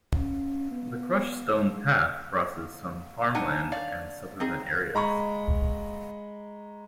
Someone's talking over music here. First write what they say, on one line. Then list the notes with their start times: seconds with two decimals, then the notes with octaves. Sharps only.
The crushed stone path crosses some farmland and suburban areas.
0.16 C#4
0.71 B3
1.57 G#3
3.35 D4 D#4 F#5 G#5
3.72 C#5 D5 F5
4.40 C4 D#4 G#4
4.95 G#3 A#5 B5 C#6